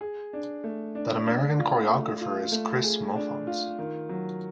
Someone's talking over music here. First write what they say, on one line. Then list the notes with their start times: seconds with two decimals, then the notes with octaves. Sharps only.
That American Choreographer is Kris Mohfanz.
0.01 G#4
0.33 D4
0.64 A3
0.95 D4
1.27 D4
1.59 F4
1.89 A3
2.21 F4
2.52 A3
2.84 G#4
3.16 D4
3.47 F4
3.78 D#3
4.09 F#3